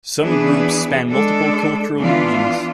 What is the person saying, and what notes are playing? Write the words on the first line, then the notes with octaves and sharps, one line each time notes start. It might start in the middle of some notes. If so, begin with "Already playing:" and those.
Some groups span multiple cultural regions.
E3 B3 D4 G#4 B4
G#3 D4 A4
E3 B3 D4 F4